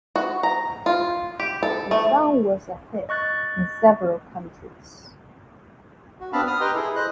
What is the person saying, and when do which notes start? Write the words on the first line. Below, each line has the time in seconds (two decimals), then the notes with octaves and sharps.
The song was a hit in several countries.
0.16 F#4
0.43 A#5
0.86 F4
1.40 G4
1.63 A4
1.91 A3
3.09 D#5 C#6 F#6 A6
6.20 F#4
6.33 B3 C4 D4 F5 A5 B5
6.47 D#6 F6
6.60 G4 B4 D#5 G5 A#5 C6
6.75 E4 G#4 A4
6.96 C5 D#5 F#6